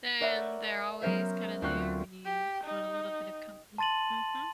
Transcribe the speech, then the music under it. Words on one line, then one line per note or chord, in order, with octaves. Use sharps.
then they're always kinda there when you want a little bit of company, mhm.
A#4 C#5 D5 E5 F#5 B5
F#3 B3 C#4 A#4 C5 E5
D2 C4 F4 C#6 F#6
G4
D#4
A5 C6 A6 D#7 F#7